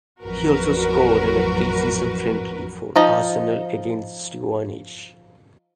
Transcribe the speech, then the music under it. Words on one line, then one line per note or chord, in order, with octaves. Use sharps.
He also scored in a pre-season friendly for Arsenal against Stevenage.
A1 F2 F#3 F#4 A#4 B4
F3 D#4 D#5